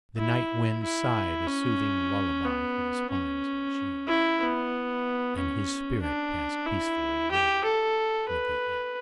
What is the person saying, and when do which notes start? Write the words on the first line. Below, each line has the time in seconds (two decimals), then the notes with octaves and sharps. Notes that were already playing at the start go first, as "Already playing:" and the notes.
The night wind sighed a soothing lullaby through the spines of the she-oak, and his spirit passed peacefully away with the ebb.
0.18 E4
0.83 E4
1.47 C#4
2.45 B3
3.11 C#4
4.07 E4
4.40 B3
5.37 C#4
6.02 D4
6.66 E4
7.31 G4
7.64 A4
8.29 B4